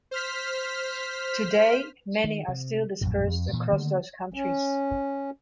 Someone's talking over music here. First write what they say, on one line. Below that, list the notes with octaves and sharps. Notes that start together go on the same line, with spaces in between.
Today, many are still dispersed across those countries.
C5 F6 B6
D#3
C3
A#1 F#2 A2
F2
A#2 E3
D3 D#3 A3 A#3
C#4